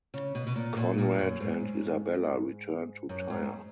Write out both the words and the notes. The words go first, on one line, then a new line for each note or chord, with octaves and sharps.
Conrad and Isabella returned to Tyre.
C#3
B2
B2
A#2
A#2
A#2
F#2
G#2
F#2
G#2